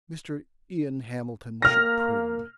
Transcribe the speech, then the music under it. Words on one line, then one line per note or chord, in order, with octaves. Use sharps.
Mr. Ian Hamilton should prune.
A#3 F6 A#6